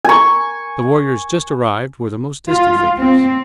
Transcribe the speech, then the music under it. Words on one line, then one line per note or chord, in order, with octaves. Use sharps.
The warriors just arrived were the most distant figures.
G#5 C#6
F4
C4